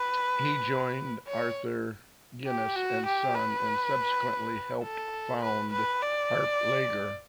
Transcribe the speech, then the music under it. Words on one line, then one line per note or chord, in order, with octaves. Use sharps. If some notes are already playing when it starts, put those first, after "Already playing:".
He joined Arthur Guinness and Son and subsequently helped found Harp Lager.
Already playing: B4
C#5
G4
F#4
G4
B4
A4
B4
B4
D5